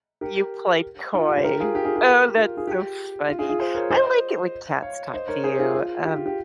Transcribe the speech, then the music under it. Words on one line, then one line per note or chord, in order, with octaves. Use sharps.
You played coy. Oh, that's so funny. I like it when cats talk to you, um
G4 A#4
F4
G4
C5
G4 A#4
F4 G#4
G4
F4 G#4
G4 A#4
F4
F4 G#4
G4
F4
F4 G#4
F4 G#4
G#4 C5
A#4 C#5
C5 D#5
C#5 F5
C5 D#5
A#4 C#5
G#4 C5
F4 G#4
F4
G4
F4
G4